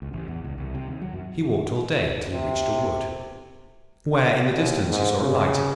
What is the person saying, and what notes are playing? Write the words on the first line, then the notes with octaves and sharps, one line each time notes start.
He walked all day, till he reached a wood, where, in the distance, he saw a light.
C#2
A1
E2
C#2
C2
C3
D#2
F#3
F#2
C3
D#2
G#2
C#3